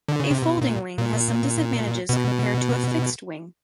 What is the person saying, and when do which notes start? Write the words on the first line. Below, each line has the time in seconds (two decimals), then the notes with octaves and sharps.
A folding wing has some disadvantages compared to a fixed wing.
0.08 D3
0.20 C#3
0.31 C3
0.42 B2
0.61 A#2
0.98 A#2
2.09 B2